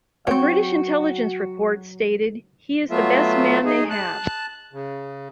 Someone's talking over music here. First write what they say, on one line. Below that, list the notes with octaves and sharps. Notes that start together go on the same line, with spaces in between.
A British intelligence report stated, "He is the best man they have".
F#3 C4 F#4 C#5 G5 C#6
F#3 A3 B3 F4 E5
D#4 G#4
A5 F#6
C#3